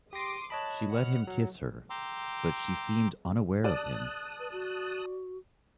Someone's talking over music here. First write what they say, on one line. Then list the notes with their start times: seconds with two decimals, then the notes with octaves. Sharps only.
She let him kiss her, but she seemed unaware of him.
0.13 G4 C6 D6 D#6 A#6
0.50 C#5 D#5 A5 B5 F#6
0.90 F#5 F6
1.27 F#3
1.90 G5 A#5 C6 D6 E6
3.64 D5 A5 D#6 F#6
4.40 B4
4.52 F#4